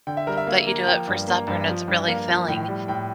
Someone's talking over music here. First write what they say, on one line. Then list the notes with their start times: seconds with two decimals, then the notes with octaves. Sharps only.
but you do it for supper and it's really filling.
0.07 D3 G5
0.17 E5
0.27 G3 A#4
0.37 E5
0.47 A#3 F5
0.67 A#3
0.87 F3 G5
1.08 G2
1.28 A#3
1.48 G2
1.68 F3
1.88 G2
2.08 A#3 F5
2.28 F3
2.48 A2 G5
2.68 G3
2.88 A2 G5